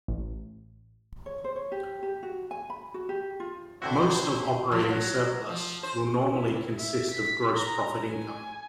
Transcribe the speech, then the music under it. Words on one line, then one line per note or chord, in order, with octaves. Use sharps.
Most of operating surplus will normally consist of gross profit income.
A1
C#5
C5
C#5
G4
G4
F#4
G#5
B5
F#4
G4
F4
D3 F#3 C4 E4 F#4 C5
F3
F#3
F3
C5
E4
E5
B6
A#5
G#5